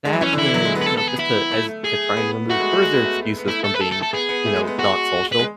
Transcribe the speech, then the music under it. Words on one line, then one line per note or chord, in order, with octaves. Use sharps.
That and, you know, just to as to try and remove further excuses from being, you know, not social,
G#3
F#3
E3 C#4
D3
E4
D3
F#3
G#3
B3
B4
A4
A4
G#4
E4
A3
G#4
B3
A3 F#4
G#3
A3
G#3
B3
A3
B3
A3 E4
A4
B4
A4
A4
A4
B3 G#4
B3
A3
G#3
B3
G#3 F#4
B4
G#3